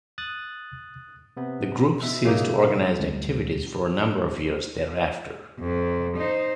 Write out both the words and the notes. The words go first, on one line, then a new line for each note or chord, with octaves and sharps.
The group ceased organised activities for a number of years thereafter.
D#6 F#6 A6
C3 B3
B2 E5
C#3 A#3 D#4
D2 G3 G#3 C#4
F2
D#4 C5